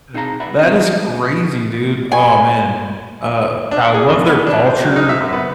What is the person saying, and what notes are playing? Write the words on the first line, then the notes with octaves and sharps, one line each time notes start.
H n that is crazy, dude. Aw, man. Uh, yeah, I love their culture.
C4 D#4 G#4 F5 A5 A#5
B4 D5 E5 F#5 B5
C3 B3 C4 D4
F3 F#3 B3 D4 F#4
G#5
D4
G#4
F2
B3
D4
C5
F#3
D#4
E5
F#2
B3